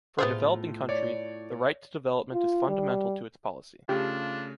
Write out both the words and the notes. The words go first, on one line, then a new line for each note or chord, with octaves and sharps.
For a developing country, the right to development is fundamental to its policy.
A2 B3 F4 G#4 C5 E5
C#5 D5
F4
G3
C#3 A3 D4 F4 G4